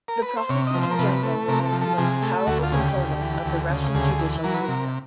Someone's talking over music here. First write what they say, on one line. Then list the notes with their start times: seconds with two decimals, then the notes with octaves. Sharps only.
The Prosecutor General remains the most powerful component of the Russian judicial system.
0.08 A#4
0.22 B4
0.37 C5
0.49 C3 C#5
0.67 D#5
0.74 F3
0.83 C5
0.91 A#4
0.99 C3 B4
1.23 A3
1.48 C3 A#4
1.66 A4
1.73 F3
1.82 A4
1.98 C3 G#4
2.23 A3
2.47 D2 F#4
2.63 F4
2.72 C#3 G#4
2.80 G4
2.97 D2
3.21 E3
3.46 D2
3.70 C#3
3.95 D2 G#4
4.19 E3
4.44 F#3 A#4
4.54 B4
4.64 C3 A#4